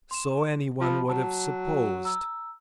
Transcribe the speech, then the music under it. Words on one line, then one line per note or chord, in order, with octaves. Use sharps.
So any one would have supposed.
C6 E7
F3 A5 B5
F#3 A5
A#5 E6